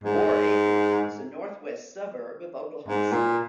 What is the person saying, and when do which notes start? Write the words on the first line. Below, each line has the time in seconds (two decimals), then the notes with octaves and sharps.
Warr Acres is a northwest suburb of Oklahoma City.
0.04 G#2
2.88 G#2
3.12 A#2